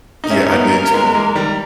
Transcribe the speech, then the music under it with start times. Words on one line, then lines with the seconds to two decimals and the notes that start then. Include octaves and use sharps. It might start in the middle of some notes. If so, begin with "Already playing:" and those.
Yeah, I did too.
0.24 D#4
0.30 C#4 E4 A#4
0.51 B3 D#4
0.73 A#3 C#4
0.94 G#3 B3
1.15 E3 G#3
1.35 D#3 G3